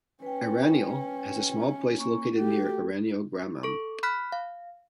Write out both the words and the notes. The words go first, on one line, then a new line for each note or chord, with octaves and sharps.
Eraniel has a small palace located near Eraniel Gramam.
C#4 B4 G5
A#3 C#6
A3 F#4 G4 A4
A4 C#6
B5 F6 F#6 B6
F5